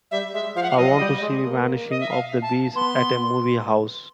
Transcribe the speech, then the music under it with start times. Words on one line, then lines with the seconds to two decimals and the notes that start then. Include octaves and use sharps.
I want to see Vanishing of the Bees at a movie house.
0.11 G3 E5
0.34 G#3 E5
0.56 F3 F5
0.63 F#5
0.70 F5
0.77 F#3 D#5
1.00 G3
1.22 G#3
1.44 A#3
1.90 D#5
2.00 E5
2.10 F5
2.42 A5
2.76 B3 C6